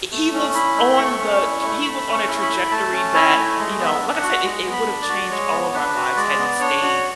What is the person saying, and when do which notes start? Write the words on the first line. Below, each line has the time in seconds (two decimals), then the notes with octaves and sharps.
He was on the he was on a trajectory that, you know, like I said, it it would have changed all of our lives had he stayed
0.11 A3
0.33 C#4
0.54 E4 B5
0.77 A3
0.98 A3 C#6
1.20 C#4
1.42 E4
1.63 A3
1.85 A3 B5
2.06 C#4
2.14 C#6
2.28 E4
2.42 B5
2.50 A3
2.71 A3 A5
2.92 C#4
3.14 E4 G#5
3.36 A3
3.58 G#3
3.79 B3
3.86 E5
4.01 D4
4.15 F#5
4.23 F#4
4.44 G#3
4.66 B3
4.73 B5
4.87 D4
5.02 D5
5.09 F#4
5.30 G#3 C#5
5.52 B3
5.74 D4 B4
5.95 F#4
6.16 G#3 D5
6.39 B3
6.60 D4 C#5
6.82 F#4